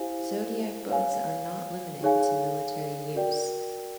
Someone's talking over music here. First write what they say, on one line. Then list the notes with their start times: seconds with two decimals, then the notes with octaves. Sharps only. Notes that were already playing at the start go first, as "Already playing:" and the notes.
Zodiac boats are not limited to military use.
Already playing: E4 G4 C5 F5 G#5
0.90 C#5 F5 G#5
2.02 D#4 G#4 C#5 F5 G#5
3.15 F#4 A#4 D5 G5